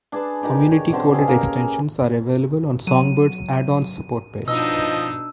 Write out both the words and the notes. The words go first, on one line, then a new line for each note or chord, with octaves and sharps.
Community coded extensions are available on Songbird's addons support page.
D4 G#4 B4 A5
D4 D#4 G4 A#4
C#5
B2 D3 C4 A5
B2 C#4 G#4
A#3 A#4
F#3 D#7
B2 F3 D4 D#4 D#5 E6